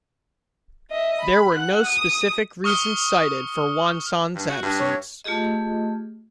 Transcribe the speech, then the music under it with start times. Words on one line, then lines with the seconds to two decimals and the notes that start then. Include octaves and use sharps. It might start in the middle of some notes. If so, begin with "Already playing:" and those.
There were no specific reasons cited for Juan Son's absence.
0.91 D#5 E5
1.21 B5
1.55 F#5 F#6
1.86 D#6
2.64 C#6 D#6 F6 C#7 G7
4.35 G2
4.49 F#4
4.63 G2
4.79 C#5
5.24 A3 F4 G4 G#4 D#5